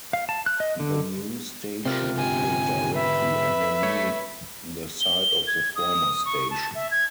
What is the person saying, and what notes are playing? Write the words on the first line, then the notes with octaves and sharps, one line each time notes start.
The new station is built directly underneath the site of the former station.
F5
A5
F#6
D#5
D3
C3 F4 G4 A#4 C5
G#2 D3 G4 G#5
B4 E5
A3 C#5
G7
G#6
D#6
C#6
A5
E5
G#6